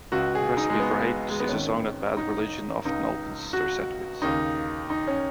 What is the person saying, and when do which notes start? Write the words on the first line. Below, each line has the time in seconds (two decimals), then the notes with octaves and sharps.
"Recipe for Hate" is a song that Bad Religion often opens their set with.
0.12 C#2 C#3 F#4
0.35 G#4
0.57 D#4
0.70 G#3
0.80 B3
1.30 G#3
1.40 B3
1.48 G#1 G#2 D#3 C#4
2.17 D#4
2.85 C#2 C#3 D#4
3.53 F#4
4.22 D#2 C#3 D#4
4.90 D#4
5.07 C#4